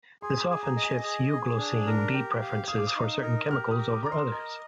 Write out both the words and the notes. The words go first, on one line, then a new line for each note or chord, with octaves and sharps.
This often shifts euglossine bee preferences for certain chemicals over others.
G#4 C6
D#6
D6
G#4
A#5
D#5
G#5
G#4
G#4
D4
A#4
G4
F5
F5 D#6
D6
D#6
D#4
A#4
G4 F6
D#6
A#4
D6
A#4 A#5
C6
D#5 A#5